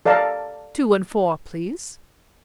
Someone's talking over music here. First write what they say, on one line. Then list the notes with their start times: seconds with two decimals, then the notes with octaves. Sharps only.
"Two-and-four, please."
0.06 A4 D5 F5 A5 A#5